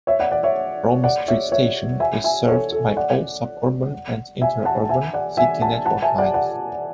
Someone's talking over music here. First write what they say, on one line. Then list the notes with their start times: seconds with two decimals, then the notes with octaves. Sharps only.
Roma Street station is served by all suburban and interurban City network lines.
0.07 C#5 E5
0.19 D5 F#5
0.31 D5 F#5
0.43 C#5 E5
1.04 D5 F#5
1.28 C#5 E5
1.52 C#5 E5
2.00 E5 G#5
2.24 E5 G#5
2.48 A4 C#5
2.72 A4
2.97 D5 F#5
4.41 E5 G#5
4.65 F#5 A5
4.89 E5 G#5
5.13 D5 F#5
5.37 E5 G#5
5.61 F#5 A5
5.86 F#5 A5
6.02 E5 G#5
6.18 D5 F#5
6.34 D5 F#5